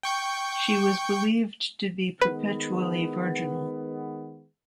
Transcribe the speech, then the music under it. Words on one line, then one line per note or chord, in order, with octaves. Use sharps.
She was believed to be perpetually virginal.
G5 C#6 G6
D#3 G#3 B3 B4